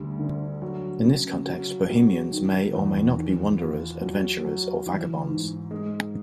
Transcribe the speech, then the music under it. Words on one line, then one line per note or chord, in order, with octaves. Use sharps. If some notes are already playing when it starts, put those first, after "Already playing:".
In this context, Bohemians may or may not be wanderers, adventurers, or vagabonds.
Already playing: D2 G3
D3
F#3
C#3
F#3
F#3
D#3
E2
D#3
F4
F#3
F#3
E3
G#2
G#3